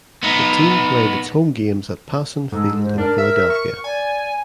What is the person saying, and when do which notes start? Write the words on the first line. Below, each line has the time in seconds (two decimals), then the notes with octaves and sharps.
The team played its home games at Passon Field in Philadelphia.
0.23 B3 D#4
2.52 G#2 A4
2.83 C5
2.98 D4 A#4
3.18 E5
3.50 C#6
3.84 D5 G#5